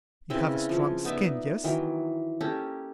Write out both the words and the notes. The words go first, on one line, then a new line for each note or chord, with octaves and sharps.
You have a strong skin--yes?
C#3 C4 E4 B4
F3
B3 D#4 D5 E5
D#3 E3 F#3
A#3 C#4 G4 A4